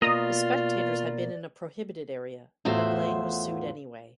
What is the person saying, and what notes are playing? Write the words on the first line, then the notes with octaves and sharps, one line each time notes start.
The spectators had been in a prohibited area but Lang was sued anyway.
B2 A#3 F4 D5 D#5 A#5 D#6
E2 A2 F4 F#4 C5 E5